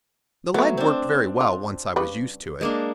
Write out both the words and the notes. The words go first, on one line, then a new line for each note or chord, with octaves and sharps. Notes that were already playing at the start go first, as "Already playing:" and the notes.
The leg worked very well, once I was used to it.
F#3 A3 B3
C4 D4
F4
C#3 G3 B4
G#3 A#3 D4